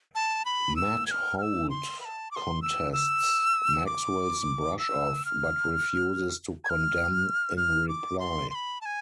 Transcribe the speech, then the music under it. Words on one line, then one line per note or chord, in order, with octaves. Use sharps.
Matt Holt contests Maxwell's brush-off, but refuses to condemn in reply.
A5
B5
E6
G#6
F6
F6
E6
C6
B5
A5
D6
C6
E6
E6
D6
E6
F6
G#6
F6
F6
D6
C6
C6
B5
A5
G#5